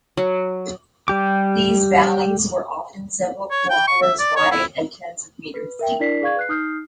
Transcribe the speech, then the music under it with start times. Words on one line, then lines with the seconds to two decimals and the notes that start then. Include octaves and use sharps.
These valleys were often several kilometres wide and tens of meters deep.
0.17 F#3
1.08 G3 G4 D6
3.51 C#5
3.70 G5
3.87 C#6
4.03 E5
4.19 D5
4.36 C#5
4.51 E4
5.54 B4
5.79 A#4 E5 G5
5.99 D4 E4 A#4 D5 B6 C7
6.22 G#4 D5 F5 C#6 G#6
6.37 B4 F#6 C7
6.49 D#4 D#6 F6 G6 C7